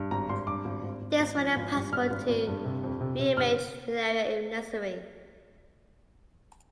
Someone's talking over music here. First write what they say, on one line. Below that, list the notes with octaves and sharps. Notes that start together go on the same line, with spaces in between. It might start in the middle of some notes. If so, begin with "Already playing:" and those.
This made it possible to reimage an area if necessary.
Already playing: G2
G#1 A#5
G#1 C6
G2 D6
G#1
G#1
G#1
G#1
F3
G#1
G2
G#1 F6
G#1
G#1
G2
C3
F2
C3
C3
G1 F6